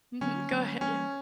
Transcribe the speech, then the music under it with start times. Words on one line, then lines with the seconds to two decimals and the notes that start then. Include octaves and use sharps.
mhm, go ahead, ye
0.21 D3 F#3 A#3 C#4
0.51 D3 F#3 A#3
0.80 E3 G3 A#3 C#4